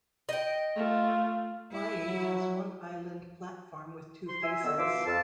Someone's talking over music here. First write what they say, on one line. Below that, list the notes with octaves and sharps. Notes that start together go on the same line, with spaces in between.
Wyee has one island platform with two faces.
D#5 G5
A3 F4
E4
F#3
C6
E5 G#5
D3 D#3 B3 E6
B2 F3 E5 C6 D6 E6
F2 F5 A5